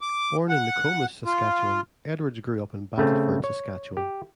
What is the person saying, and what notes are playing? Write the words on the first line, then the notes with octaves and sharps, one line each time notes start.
Born in Nokomis, Saskatchewan, Edwards grew up in Battleford, Saskatchewan.
D6
F#5
F4
C#3 A3 C4
C#5
G4